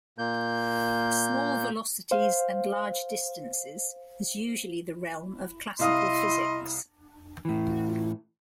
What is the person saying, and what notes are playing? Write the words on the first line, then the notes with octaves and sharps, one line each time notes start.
Small velocities and large distances is usually the realm of classical physics.
A#2 A#3 G6
C5 F5
C2 E4 D#5 F5 C6 D#6
A2 E3